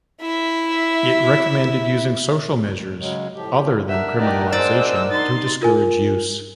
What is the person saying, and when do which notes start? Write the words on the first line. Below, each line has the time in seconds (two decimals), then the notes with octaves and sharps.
It recommended using social measures other than criminalisation to discourage use.
0.21 E4 E5
2.99 C#3 F#3 G#3
3.35 A2 F3 G4
3.89 D4 A#4 E5 F#5
4.20 D#4 G4 D5
4.52 G#3 C5 D5 E6
5.10 D#4 C6 A6
5.61 F4 A#4 G#5